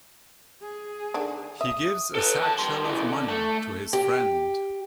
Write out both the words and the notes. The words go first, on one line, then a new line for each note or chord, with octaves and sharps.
He gives a satchel of money to his friend.
G#4
D3 D#3 D4
E5 D#6
A4 B4
D#3 A5
G2 C6
C#3 E3
D3
A3
G4